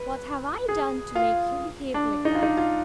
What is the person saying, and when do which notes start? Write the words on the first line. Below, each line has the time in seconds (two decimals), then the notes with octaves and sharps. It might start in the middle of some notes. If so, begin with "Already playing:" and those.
'What have I done to make you behave like that?
Already playing: B4
0.69 G#4
1.15 F4
1.94 D4
2.25 D#4
2.35 F4
2.43 D#4
2.57 F4